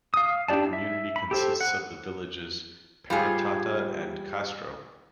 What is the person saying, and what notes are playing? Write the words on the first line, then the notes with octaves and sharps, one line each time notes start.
The community consists of the villages Peratata and Kastro.
F5 D#6
D4 E4 G4 D5 A5
E5
B5
G4 A4 C5
F#5
G3 F4 G#4